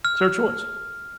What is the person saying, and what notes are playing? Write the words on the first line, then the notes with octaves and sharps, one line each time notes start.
It's her choice.
F6